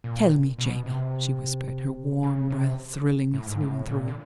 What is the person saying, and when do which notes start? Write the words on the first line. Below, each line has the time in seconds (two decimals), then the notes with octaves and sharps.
"Tell me, Jamie," she whispered, her warm breath thrilling me through and through.
0.04 A#2
0.58 B2
0.86 C3
2.23 C#3
2.51 C3
3.33 A2
3.46 G#2
3.61 A2
3.87 A#2
4.08 D3